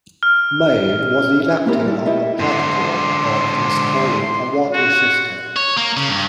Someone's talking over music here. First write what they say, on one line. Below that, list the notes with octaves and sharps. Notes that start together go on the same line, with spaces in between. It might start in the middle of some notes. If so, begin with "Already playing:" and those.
May, was elected on a platform of installing a water system.
F6
A#3 C4 D#4 E4 G4 A#4
G3 A4
E4 G4 A4 D#5 E5
G#2 D3 C6
F#4
C#5
A#3
C#3
G2